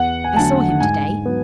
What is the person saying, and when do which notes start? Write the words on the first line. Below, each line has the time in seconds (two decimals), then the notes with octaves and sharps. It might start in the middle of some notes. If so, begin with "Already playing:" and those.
"I saw him to-day."
Already playing: E2 F#5
0.24 G#5
0.36 D3 F#3 A3 A5
0.80 G#2 G#5
1.25 F#3 B3